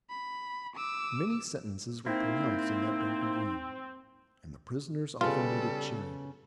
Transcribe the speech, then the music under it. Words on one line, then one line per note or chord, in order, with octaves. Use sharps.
Many sentences were pronounced in that darkened room, and the prisoners often needed cheering.
B5
D6 E6
A#3 C4 D#4 E4
C#3 G3 B3 F4 A4